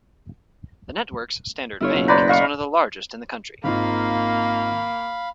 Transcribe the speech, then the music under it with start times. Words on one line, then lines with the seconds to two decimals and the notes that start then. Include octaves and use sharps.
The network's Standard Bank is one of the largest in the country.
1.80 G1 E4 F4 C#5
1.94 F#1 B2
2.08 B4 C5 D5 F#5 A#5
2.28 D#5 F5 C#6
3.64 G#1 A#3 D#4 F4 F5 B5